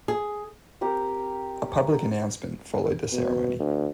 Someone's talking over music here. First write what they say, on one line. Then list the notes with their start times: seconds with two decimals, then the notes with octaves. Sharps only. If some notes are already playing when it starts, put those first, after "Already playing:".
A public announcement followed the ceremony.
0.08 G#4
0.81 C4 G4 A#4
3.12 B2
3.60 D2